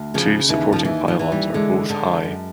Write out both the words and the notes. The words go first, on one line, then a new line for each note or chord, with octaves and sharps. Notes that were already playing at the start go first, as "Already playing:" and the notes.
Two supporting pylons are both high.
Already playing: D2
C#3 F3
D#2 E3
F3
D#2 E3
F3
E3
G3
D3 G#3
D3
F#2